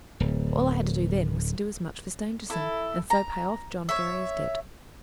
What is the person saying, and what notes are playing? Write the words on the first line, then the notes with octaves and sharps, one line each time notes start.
All I had to do then was to do as much for Stangerson, and so pay off John Ferrier's debt.
D1
E4 A4
A#5
C#5 E5